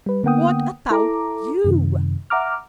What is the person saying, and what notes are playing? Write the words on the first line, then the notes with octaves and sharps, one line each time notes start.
What about you?
G3 B4
D3 A#3 B3 F#5 G5 D#6
E4 A4 A#5 D6
F#2 C3 D#3
E5 F#5 A#5 D6 F6